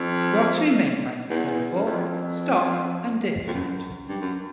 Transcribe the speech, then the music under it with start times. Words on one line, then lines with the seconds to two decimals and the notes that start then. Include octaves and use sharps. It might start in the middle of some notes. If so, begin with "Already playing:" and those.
There are two main types of semaphore; stop and distant.
Already playing: F2
1.30 E2
1.75 F#2
1.86 F2
3.47 F2
3.53 F#2
4.08 G2
4.21 F#2